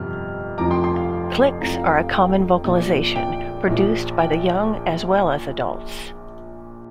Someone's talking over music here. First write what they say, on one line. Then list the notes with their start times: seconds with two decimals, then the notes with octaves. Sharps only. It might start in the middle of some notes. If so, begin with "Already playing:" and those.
'Click's are a common vocalization, produced by the young as well as adults.
Already playing: G1 F2 C3 F6
0.58 F1 F2 F3 A#5 D6
0.71 G5 C6
0.84 G5 C6
0.97 F5
1.61 F1 F2 F3 F5 A#5
1.74 F5 A#5
1.87 G5
2.00 F5
2.12 G5
2.64 A#1 A#2 F3
3.16 G5
3.67 A#1 A#2 F3
4.19 G5